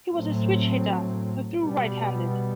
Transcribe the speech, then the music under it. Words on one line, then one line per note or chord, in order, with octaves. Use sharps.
He was a switch-hitter who threw right-handed.
A2 F#3 A3 C4
B2 G3 B3